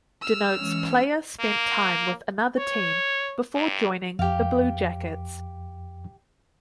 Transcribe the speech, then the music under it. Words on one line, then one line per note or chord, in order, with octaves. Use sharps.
Denotes player spent time with another team before joining the Blue Jackets.
E6 F6
E3 G#3 C#4
A#3
C#5
G2
F2 G4 F5